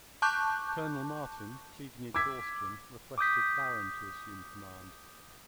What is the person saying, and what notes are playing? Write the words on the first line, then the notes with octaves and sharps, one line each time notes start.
Colonel Martin, pleading exhaustion, requested Barron to assume command.
A5 C#6 D6 F#6 G6
D6 E6 G#6 B6
D6 D#6 G6 B6